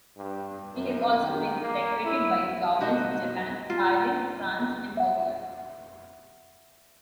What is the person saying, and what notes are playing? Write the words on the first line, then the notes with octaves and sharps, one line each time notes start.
He has also been decorated by the governments of Japan, Thailand, France and Korea.
G2
F#2
D#3
A#3
E4
B2 G3 D#4 F#4 C5 D#5
F4
E5 F#5